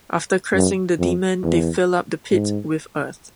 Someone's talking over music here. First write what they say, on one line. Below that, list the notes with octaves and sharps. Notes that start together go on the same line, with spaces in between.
After cursing the demon, they fill up the pit with earth.
F#2
F2
E2
G#2